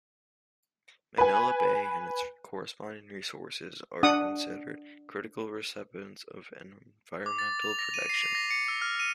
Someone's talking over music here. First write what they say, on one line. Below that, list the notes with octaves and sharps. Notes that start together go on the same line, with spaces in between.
Manila Bay and its corresponding resources are considered critical recipients of environmental protection.
B4 G#5
D4 F#5 D#6
D6
A6
F7
A#6
D#7
C7
F7
A#6
C#7
E6
F6
D#7